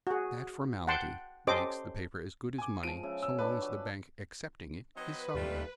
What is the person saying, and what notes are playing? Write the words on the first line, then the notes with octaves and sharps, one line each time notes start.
That formality makes the paper as good as money so long as the bank accepting it is solvent.
F#4 G#4
F#5 G5 A5 C6
C#4 G4 A4 C5 D#5 D6
G#5 D6
F3 G#3 D7 D#7
C#3 E5
E6
D4 A4 B4
F#4
F#3 C4 B4 D#5
D#2 G3 A3 F4